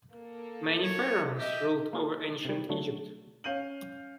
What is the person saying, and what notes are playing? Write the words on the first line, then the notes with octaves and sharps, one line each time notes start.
Many pharaohs ruled over ancient Egypt.
A#3 A4
C#5
G4 D#5 E5
A#3 F4 G#4 A#4 A5
C3 G3
D3 F#3 A3
C#4 F5 G6 D#7 F#7